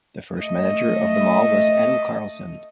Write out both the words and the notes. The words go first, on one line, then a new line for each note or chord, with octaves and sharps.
The first manager of the mall was Eddo Carlson.
A3 D#5